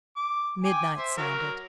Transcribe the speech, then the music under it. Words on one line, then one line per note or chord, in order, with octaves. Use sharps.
Midnight sounded.
D6
G5 G#5 D6
C5 E5
F#3 A#4